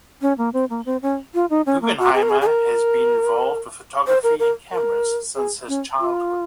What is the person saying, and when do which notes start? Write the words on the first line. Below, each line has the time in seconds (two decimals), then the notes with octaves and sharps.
Guggenheimer has been involved with photography and cameras since his childhood.
0.22 C#4
0.38 A#3
0.53 C4
0.70 A#3
0.86 C4
1.02 C#4
1.34 F4
1.50 D#4
1.66 C#4
1.82 A#3
1.99 F#4
2.15 G#4
2.22 A#4
2.30 G#4
2.41 G#4
2.47 A#4
4.07 C5
4.23 A#4
4.39 A#4
4.72 A#4
5.36 G#4
5.68 C#4
6.00 F4